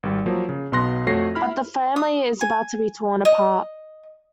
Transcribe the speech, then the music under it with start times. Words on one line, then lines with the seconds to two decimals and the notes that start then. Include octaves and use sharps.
But the family is about to be torn apart.
0.03 G#1 G3
0.26 F3 F#3 A#3
0.49 C#3
0.72 B1 B2 B3 C6 F#6 A#6
1.07 F2 A3 F#4 C#5 A#6 C7
1.35 E4 B5 F6
1.96 D#6
2.41 G#5
3.25 D#5